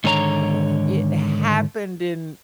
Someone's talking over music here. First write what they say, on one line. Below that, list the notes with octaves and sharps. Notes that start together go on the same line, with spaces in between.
yeah, it happened in
G#2 D3 D#3 C#5 G#5 A#5